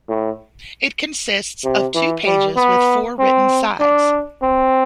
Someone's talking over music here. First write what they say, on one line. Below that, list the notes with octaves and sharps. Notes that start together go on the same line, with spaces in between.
It consists of two pages with four written sides.
A2
C3
E3
G3
B3
C4
D4
C4